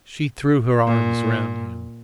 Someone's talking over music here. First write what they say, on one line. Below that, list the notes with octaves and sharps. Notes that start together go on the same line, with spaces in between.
She threw her arms round him.
A#2